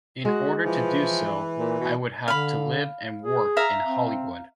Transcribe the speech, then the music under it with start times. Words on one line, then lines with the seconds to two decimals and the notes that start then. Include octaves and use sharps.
In order to do so I would have to live and work in Hollywood.
0.25 G#3 F#4
0.64 E3 F3
1.58 A#2
1.80 B2
2.28 D3 F5 B5
3.22 G#4
3.57 E5 F5 A#5
3.82 C4